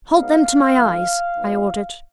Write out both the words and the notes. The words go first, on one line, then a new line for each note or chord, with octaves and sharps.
"Hold them to my eyes," I ordered.
G#2 F#3 B3 D#4 F5
F2 F3 G#3 D#4
A#2 F#3 B3 D#4